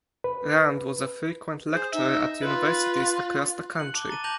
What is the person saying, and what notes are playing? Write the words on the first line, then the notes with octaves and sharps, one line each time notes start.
Rand was a frequent lecturer at universities across the country.
B4
G#4 C5
D#4 E5
F4 B4
F#6 C#7 F#7
A5 D6 G7
A#5 A6 D#7
A5 D6 G6 A#6 F7 F#7